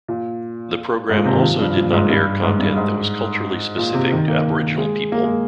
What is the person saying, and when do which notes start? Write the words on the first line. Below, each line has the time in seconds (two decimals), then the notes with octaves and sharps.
The program also did not air content that was culturally specific to aboriginal people.
0.08 A#2
1.09 G#2
1.17 A#2
1.25 C3
1.34 D#3
1.42 F3
1.59 G2
1.76 A#2
1.93 G#2
2.10 G2
2.43 G#2
2.59 G2
2.76 G#2
3.78 A#2
3.94 C3
4.12 D#3
4.28 A#3
4.78 G#3
5.12 A#3
5.23 G#3